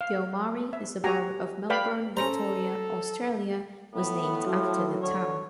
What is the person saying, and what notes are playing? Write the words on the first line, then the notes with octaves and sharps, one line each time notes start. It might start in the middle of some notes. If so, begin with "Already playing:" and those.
Beaumaris, the suburb of Melbourne, Victoria, Australia was named after the town.
F5
E5
F#4 G4 G#5 A#5
B4 D5 F5 G5 B5
C#4 A4 C5 A#5
A2 B3
F3 F#3
D3 C#5